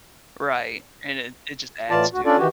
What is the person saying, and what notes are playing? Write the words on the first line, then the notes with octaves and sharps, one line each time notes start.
Right, and it it just adds to it.
A2 E3 F4 D5 A5
D2 F#4
C#4 D4 F4 A4 D5
D#3 E3 F#4 G4